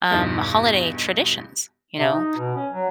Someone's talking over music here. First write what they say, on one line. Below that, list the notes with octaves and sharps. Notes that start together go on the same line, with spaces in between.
um, holiday traditions, you know?
E2 G2 B2 D#3
C3
D#4
B2
C#4
F#3